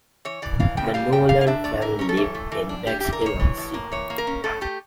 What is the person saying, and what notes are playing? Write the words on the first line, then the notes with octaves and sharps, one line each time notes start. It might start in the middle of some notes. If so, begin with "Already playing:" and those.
The Nolan family lived in Bexhill-on-Sea.
E3 C#5
E3 D5
E3 F5
C#3 G5
G3 F5
C#3 G5
D3 F5
F5
D4 E5
A3 D5
E3 A#4
C#4 A#4
A4
E3
A3
E3
D4
G3 G4
E3 G4
A#4
A#3 C#5
E3
A2
A#3
E3 C#5
A#3
A#4
C#4
A3 A4
A3 G4